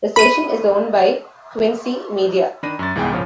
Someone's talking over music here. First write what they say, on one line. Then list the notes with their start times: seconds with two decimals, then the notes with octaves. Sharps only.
The station is owned by Quincy Media.
0.16 B5 D#7
2.63 D#3 D4 B5 A#6 D#7
2.79 F#2 C#6 A6
2.95 C2 G#2 E3 B3 G#4 G5
3.11 G2 A#2 C#3 F3 C#4